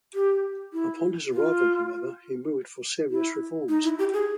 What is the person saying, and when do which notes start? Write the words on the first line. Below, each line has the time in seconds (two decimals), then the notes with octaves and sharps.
Upon his arrival, however, he moved for serious reforms.
0.14 G4
0.73 E4
1.33 F4
3.10 E4
3.68 D#4
3.84 E4
3.99 G4
4.14 G#4